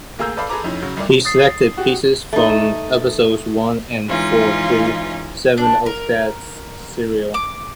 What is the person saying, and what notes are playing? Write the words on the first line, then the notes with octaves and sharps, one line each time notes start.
He selected pieces from episodes one and four through seven of that serial.
D2 A#3 G#4 A#5 E6 G6
A4 B4 D5 F5 B5
G#4 A4 B4 A#5 D6
F2 C#4 D#4 E4
C#3 F#3
G1 C2 D5
D#6 A6 C7
F#4 G4
A3 D#4
E3 G#3 C#4 D#4 F4
D4
A#4
D6